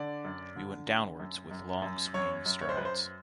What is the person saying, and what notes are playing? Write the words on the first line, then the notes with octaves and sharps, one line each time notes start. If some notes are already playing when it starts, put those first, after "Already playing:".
We went downwards with long swinging strides.
Already playing: D3 D5
F#2
D3
D3
F#2
F#2
F#2
F#2 C#5
F#2
C#5
C5
F#2 B4
C5